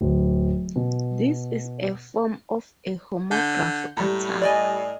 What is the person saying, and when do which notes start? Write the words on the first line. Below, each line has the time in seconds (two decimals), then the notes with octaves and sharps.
This is a form of a homograph attack.
0.01 D1
0.76 B2
3.31 D3 G6
3.97 A2 G3 A#5
4.42 D5 D#5 G#5